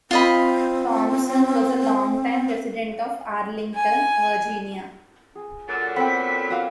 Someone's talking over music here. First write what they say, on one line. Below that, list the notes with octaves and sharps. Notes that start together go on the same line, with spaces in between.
Thompson was a long-time resident of Arlington, Virginia.
C4 F4 D#5 B5
G#5
G#4
A#2 D3 F#3 A6
B3 C4 A4 F#5 G5 B6
F#4 F5